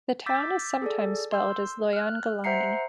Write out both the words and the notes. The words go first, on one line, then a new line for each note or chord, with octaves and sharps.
The town is sometimes spelled as "Loyangalani".
D6 E6 G6 A6 B6
G#4 A4 D5
C6 E6 G6
F6 F#6
C5 E5 F#5 A#5 C7 C#7